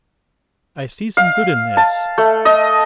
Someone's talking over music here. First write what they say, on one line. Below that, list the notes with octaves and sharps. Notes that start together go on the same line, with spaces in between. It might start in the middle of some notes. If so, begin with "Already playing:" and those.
I see some good in this.
F5
A5
A3
D#5